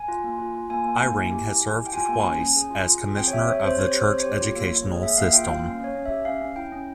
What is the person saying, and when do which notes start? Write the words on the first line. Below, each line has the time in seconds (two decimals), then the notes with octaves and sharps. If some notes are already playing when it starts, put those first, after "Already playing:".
Eyring has served twice as Commissioner of the Church Educational System.
Already playing: G#5
0.08 F4
0.24 A#3
0.39 F4
0.55 F4
0.70 A#3 G#5
0.85 A#3
1.01 A#3
1.16 E4
1.32 G4
1.47 E4
1.62 E4
1.78 G4
1.86 G5
1.94 F4 G#5
2.09 A#3
2.24 C#4
2.40 C#4
2.56 G#4
2.70 F4
2.86 F4
3.02 G#4
3.17 C4 G5
3.28 C#5
3.33 G4 E5
3.48 G4 C#5
3.63 C4 C5
3.78 G4 C#5
3.94 G4
4.00 C5
4.09 C4
4.20 C#5
4.26 G4
4.41 F4
4.56 A#3
4.72 A#3
4.87 G#4
5.03 G#4 E5
5.18 A#3 F5
5.33 F4 G5
5.49 A#3 F5
5.64 C#4 F5
5.80 C#4 C#5
5.95 C#4
6.05 G4 E5
6.25 C#4 F5
6.41 C#4
6.56 E4 G5
6.72 C#4